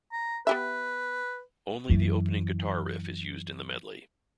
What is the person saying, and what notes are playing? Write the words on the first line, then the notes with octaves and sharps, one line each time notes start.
Only the opening guitar riff is used in the medley.
A#5
B3 G4 B4 E5
F#2 E3